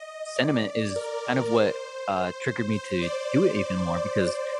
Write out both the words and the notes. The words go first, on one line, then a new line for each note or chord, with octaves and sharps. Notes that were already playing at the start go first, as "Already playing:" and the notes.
sentiment is kind of what, uh, triggered me to do it even more, because,
Already playing: D#5
D5
A#4
C5
C5
D5